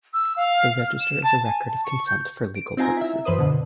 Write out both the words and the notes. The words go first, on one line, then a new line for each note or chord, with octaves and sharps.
The register is a record of consent for legal purposes.
E6
F5
F6
E7
A5
G#5
A5
C#6
G6
D7
C4 D#4 F4 G#5 A#5
E4 E5
F#2 E3 B4 C5 D#6
B2 D3